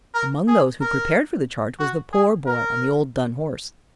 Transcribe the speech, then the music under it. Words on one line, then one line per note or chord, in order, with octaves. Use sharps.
Among those who prepared for the charge was the poor boy on the old dun horse.
A#4
G#4
A#4
F#4
G#4
A#4